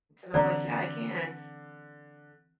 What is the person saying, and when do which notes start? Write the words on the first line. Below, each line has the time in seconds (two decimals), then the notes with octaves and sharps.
And I'm like, “Yeah, I can.
0.34 D3 E3 C4 D5 A#5